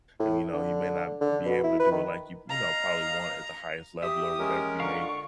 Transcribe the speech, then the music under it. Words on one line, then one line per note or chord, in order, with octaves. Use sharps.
and, you know, you may not be able to do it like you, you know, probably want it at the highest level or whatever, you may
A2
D3
D3
B2
E4
B4
D#3
D#5 F5 A#5
G4 E5 D#6
G#3 C#4 A#4
D3 F4 F5 A#5 C#6